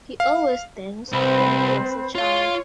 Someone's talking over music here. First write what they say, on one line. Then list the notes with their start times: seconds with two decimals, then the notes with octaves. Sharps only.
He always danced when he was a child.
0.20 F5
1.12 C2 C4 B4 C5 B5
2.15 F4 C#5 F5